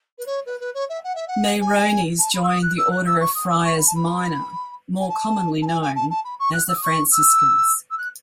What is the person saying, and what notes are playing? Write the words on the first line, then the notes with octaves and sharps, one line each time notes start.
Meyronnes joined the Order of Friars Minor, more commonly known as the Franciscans.
B4
C#5
B4
B4
C#5
E5
F#5
E5
F#5
G#5
A5
B5
E6
D#6
F#6
E6
F#6
E6
C#6
D#6
E6
D#6
C#6
B5
A5
B5
G#5
A5
A5
G#5
G#5
A5
A5
B5
C#6
F#6
E6
D#6
C#6
E6
E6
F#6